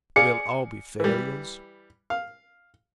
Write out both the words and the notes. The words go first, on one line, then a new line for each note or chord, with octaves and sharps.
"We'll all be failures?"
G#4 D5 F5 C#7
E3 G3
F5